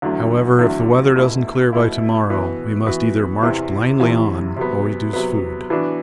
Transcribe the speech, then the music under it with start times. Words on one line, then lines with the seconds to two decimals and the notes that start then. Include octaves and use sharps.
However, if the weather doesn't clear by to-morrow, we must either march blindly on or reduce food.
0.02 E2 D3 F#3 A3
0.59 E2 D3 F#3 A3
1.16 B2 A3 E4
1.73 B2 A3 E4
2.30 E3 B3 F#4
2.86 E3 B3 F#4
3.43 E2 C3 E3
4.00 E2 C3 E3
4.56 C3 F#3 B3
5.13 C3 F#3 B3
5.70 E3 B3 D4 F#4